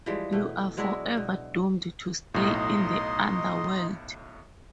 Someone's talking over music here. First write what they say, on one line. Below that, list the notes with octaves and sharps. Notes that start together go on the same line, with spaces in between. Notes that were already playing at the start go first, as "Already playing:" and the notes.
You are forever doomed to stay in the underworld.
E3 F3 G3 G#3
B2 A3
F#3 G#3 D4 E4
B2
B1 A2 D#4 D#5 C6